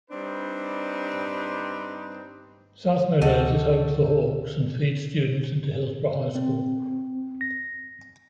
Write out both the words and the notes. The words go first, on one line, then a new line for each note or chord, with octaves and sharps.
South Meadows is home to the Hawks and feeds students into Hillsboro High School.
G3 C4 D4 D#4 B4
D2 C3 G3 F#4 A4 D#5
C4
A#6